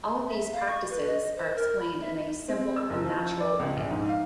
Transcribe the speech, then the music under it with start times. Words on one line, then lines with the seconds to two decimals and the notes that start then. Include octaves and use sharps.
All these practices are explained in a simple and natural way.
0.28 E5
0.52 F5
0.67 C#6
0.90 B4
1.05 D#5
1.36 C5
1.55 A#4
1.79 B5
2.01 E5
2.48 C4
2.76 E6
2.90 F#1
3.04 F3
3.40 D5
3.59 C#2
3.76 A#1
3.91 G#2
4.09 F5